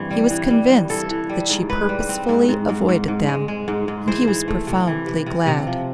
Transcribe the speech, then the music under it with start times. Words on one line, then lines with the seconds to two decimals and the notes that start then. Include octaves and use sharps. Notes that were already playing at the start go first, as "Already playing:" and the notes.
He was convinced that she purposely avoided them and he was profoundly glad.
Already playing: G2 E3 C4
0.11 G3
0.30 E3
0.50 G3
0.70 G2
0.90 E3 A4
1.10 E3
1.29 G3
1.49 G#2
1.69 G#2 B4
1.89 G3
2.09 C4
2.29 G#2
2.49 G#2
2.69 G#2
2.89 G#2
3.08 G#2
3.28 G#3
3.48 G#3
3.68 G#2
3.88 G#2
4.07 E3 C5
4.27 E3
4.48 A3
4.67 C3
4.87 E3
5.07 C3
5.26 C3
5.47 C3
5.67 F3